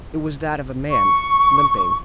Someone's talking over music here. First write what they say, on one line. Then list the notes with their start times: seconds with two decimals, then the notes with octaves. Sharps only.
It was that of a man, limping.
0.90 C#6